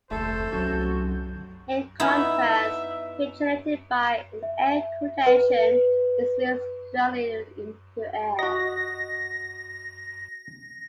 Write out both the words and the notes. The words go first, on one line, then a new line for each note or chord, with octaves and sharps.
In contrast, heat generated by an air-cooled engine is released directly into the air.
F1 D2 A3 A4 C5
C2 F#3 C#4 F#4 G6
B3 D#4 E4 E5
E5
B4
F#4 D#5 A#6